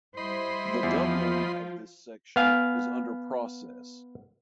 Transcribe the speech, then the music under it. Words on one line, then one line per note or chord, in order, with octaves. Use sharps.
The doubling of this section is under process.
G3 E4 C5 D#5 B5 C6
E2 F3 F4
B3 F5 G#5